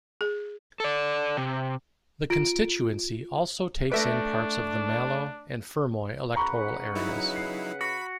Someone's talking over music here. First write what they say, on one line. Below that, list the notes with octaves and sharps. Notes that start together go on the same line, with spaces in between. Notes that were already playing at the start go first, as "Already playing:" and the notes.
The constituency also takes in parts of the Mallow and Fermoy electoral areas.
G#4
A4 D5
C3
F4 D7
A3 D4 B4 E5 A#6 B6 D7
C#3 B4 F#5 A#5 B5 C#6
F#3 D#4 E4
C7
F#4 B5